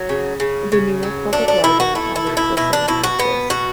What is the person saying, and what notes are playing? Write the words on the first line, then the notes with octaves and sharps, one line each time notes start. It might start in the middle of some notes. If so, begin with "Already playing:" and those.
The New York Public Library follows the same practice.
Already playing: F#3
C#3
C#3
C#3
F#3
A3 D4
D4
B2 E4
F#4
A3 E4
E4
B2
E4
B2 E4
D4
B2 E4
F#4
B2 B3
B2 F#4